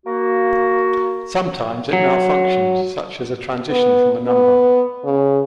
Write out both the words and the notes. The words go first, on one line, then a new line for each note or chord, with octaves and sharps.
Sometimes it malfunctioned, such as a transition from a number.
A#3 F#4
F#3
B3
B3
C#3